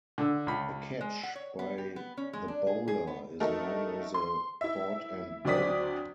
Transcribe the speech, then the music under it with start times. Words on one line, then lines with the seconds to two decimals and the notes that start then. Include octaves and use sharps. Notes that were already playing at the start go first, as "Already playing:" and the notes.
A catch by the bowler is known as a "caught and bowled".
0.18 D3 E6
0.47 C#2 B5
1.01 G#3
1.23 F#5
1.35 C#5
1.59 B3
1.78 G4
1.96 B3
2.17 C#4
2.33 G#3
2.48 D4
2.67 G#4
2.88 G#4
3.07 B3
3.40 A3 D#4 F#4 A4 A#4
4.14 C6
4.61 E4 E5
5.45 D2 F#3 C4 D5 D#6 B6